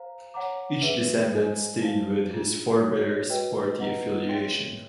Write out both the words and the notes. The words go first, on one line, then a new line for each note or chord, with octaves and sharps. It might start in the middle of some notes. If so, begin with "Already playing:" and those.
Each descendant stayed with his forebear's party affiliation.
Already playing: C5 F5 A#5
C#5 F#5 A#5 D6
G#4 B4 E5
C5 D#5 G#5
C5 F5 A5
D4 F4 G#4
F#4 A#4 C#5
F#4 B4 D#5 G5
B4 D#5 F#5 A#5
C#5 E5 G5 C6